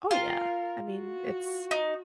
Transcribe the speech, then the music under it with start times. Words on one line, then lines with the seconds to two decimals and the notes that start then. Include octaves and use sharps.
Oh, yeah. I mean, it's
0.11 F4 A#4
0.91 F#4
1.71 D#4